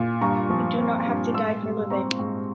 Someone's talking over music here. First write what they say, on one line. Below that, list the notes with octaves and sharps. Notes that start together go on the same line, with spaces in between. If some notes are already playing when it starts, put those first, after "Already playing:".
We do not have to die for living.
Already playing: A#2
G2 A#5 C#6
F3
C4
G2
G#2 C6 E6
G3
C4 A#5 C#6
G#2